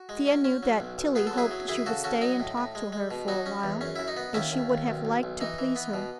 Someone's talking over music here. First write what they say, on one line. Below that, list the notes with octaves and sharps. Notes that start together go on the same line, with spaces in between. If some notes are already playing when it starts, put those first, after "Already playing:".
Thea knew that Tillie hoped she would stay and talk to her for a while, and she would have liked to please her.
Already playing: F#4
G#3
C#4
C#4
F#3
B1
B1
B3 G#4
A4
F#3 E4 G#4
F#3
F#2 E4 G#4
C#3 F#4 A4
C#4 F#4 A4
F#3 D#4
A2
A2
G#3
G#3
B2
F#3 D#4
C#4
E2
F#2 C#4
F#2 E4
D#4
B3
D#2 C#4 E4
D#2
D#2
B1
B1
B1
E3 D#4
E3
B3
B2